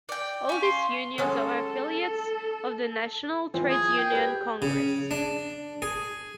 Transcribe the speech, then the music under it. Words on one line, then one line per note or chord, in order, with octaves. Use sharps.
All these unions are affiliates of the National Trades Union Congress.
D5 G5
C#4 F5
C6
F#3 G#3 C#4 A4
E3 F3 C4
F3 G#4
G5
G4 A4 B4
C#3
D4
G#4